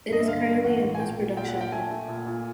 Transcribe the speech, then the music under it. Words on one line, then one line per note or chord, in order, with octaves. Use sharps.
It is currently in post-production.
G2 D#5
E5
D3 F5
G2
A1 F#5
A1
G#5
A#2 G5
A#2
A#2 G5
F#5
A#2
G5
A3 G#5
A3
A#2
A#2